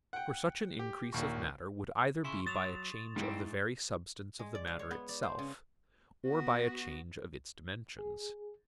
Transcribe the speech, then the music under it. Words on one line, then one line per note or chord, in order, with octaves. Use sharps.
For such an increase of matter would either be by a change of the very substance of the matter itself, or by a change of its dimensions.
F#5 G5
G4
A#1 D#2 C#6
C#3 E4 C6 C#6
F#3 D#6 A6 E7 F7
G#2 E3 G3 C4
G#3
D5
F5
C#5
B3
D5
C5
C#3
B3 F#4
G#4